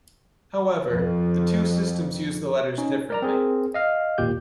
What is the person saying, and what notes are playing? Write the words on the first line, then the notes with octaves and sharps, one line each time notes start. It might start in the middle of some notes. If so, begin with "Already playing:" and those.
However, the two systems use the letters differently.
F2 F3
C#4 D#4
A#4 D5 A#5
C4 G#4 A#4
D#5 F5 F6
G#1 D#2 A#2 G4 G6